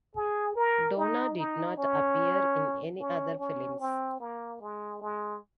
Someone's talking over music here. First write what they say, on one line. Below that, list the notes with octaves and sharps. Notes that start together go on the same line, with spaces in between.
Donna did not appear in any other films.
G#4
A#4
D#4
D#4
C#4
C#4
C#4
C4
A#3
G#3
G#3